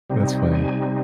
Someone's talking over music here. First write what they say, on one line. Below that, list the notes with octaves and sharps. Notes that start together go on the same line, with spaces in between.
That's funny.
C3 G3 C4 D#4
G#5